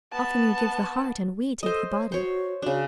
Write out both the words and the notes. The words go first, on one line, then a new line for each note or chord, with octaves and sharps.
Often you give the heart, and we take the body.
B3 A5
A4 C5 D#5
C#5
F#4 C5 C#5
C#3 D4 F#4